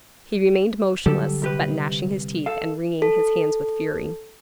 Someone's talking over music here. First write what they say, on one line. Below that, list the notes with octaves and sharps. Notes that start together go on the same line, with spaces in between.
He remained motionless, but gnashing his teeth and wringing his hands with fury.
D3 F#3 G3 G4 A4
C2 G4 B4
A4 F5
A4